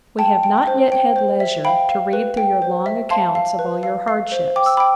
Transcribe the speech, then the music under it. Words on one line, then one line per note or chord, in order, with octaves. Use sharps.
We have not yet had leisure to read through your long accounts of all your hardships.
G5 A5
G5
C5
G5
C5
E5
F5 G5 B5
F5
B4
G5
C5
E5
F5 A5 C6
F5
B4
F5
F5
C5
G5 D6
E6
G5 B5 D6